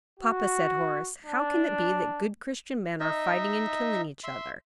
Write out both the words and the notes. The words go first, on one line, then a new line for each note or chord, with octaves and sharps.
"Papa," said Horace, "how can it be that good Christian men are fighting and killing each other?"
F#4
D4
D#4 D#5 E5
E5 C6